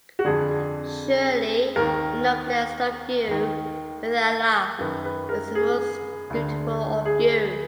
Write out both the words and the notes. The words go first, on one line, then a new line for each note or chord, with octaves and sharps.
Surely the noblest of you with Allah is the most dutiful of you.
F#4
F2 D3 G#4
D#2 D#3 A#4
D#2 D#3
F#2 D#3 B4
B4
A#4
G#4
D2 D3
G#4